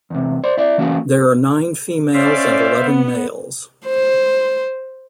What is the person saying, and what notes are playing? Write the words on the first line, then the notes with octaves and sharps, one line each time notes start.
There are nine females and eleven males.
E2 C3
C5 D5 C6
E4 D5
E3 A#3 C#4 F#4
C#4 C5 D5 E5 F5
B3
C5